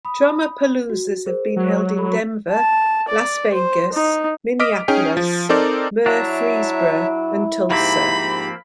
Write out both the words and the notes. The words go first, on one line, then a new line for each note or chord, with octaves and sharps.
TromaPaloozas have been held in Denver, Las Vegas, Minneapolis, Murfreesboro, and Tulsa.
B5 D#6
F#4
G#4 A#4 C5
F#3
A4 B5
A5
D5
C5
D#4
D#5 D6 F6 B6 D7
C#4 D#4 G#4 G5
F3
C4 D#4 A4 A#4 C5 D5
F#3 D4 E4 C#5 E5 A5
G#2 F3 A#3 C4 G4 B5